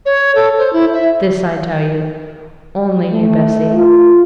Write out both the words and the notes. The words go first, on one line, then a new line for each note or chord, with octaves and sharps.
This I tell you--only you, Bessy.
C#5
A4
C5
E4
E5
A3
F4